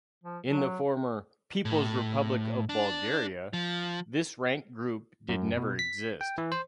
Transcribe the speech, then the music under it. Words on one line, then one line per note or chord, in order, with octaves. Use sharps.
In the former "People's Republic of Bulgaria" this rank group did never exist.
F3
F#3
A2
D4
F3
F#2
B2
B6
G5
E3
C5